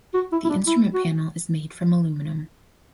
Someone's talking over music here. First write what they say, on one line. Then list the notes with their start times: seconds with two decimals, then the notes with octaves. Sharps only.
The instrument panel is made from aluminum.
0.14 F#4
0.32 E4
0.44 E4
0.49 D4
0.67 E4
0.94 F#4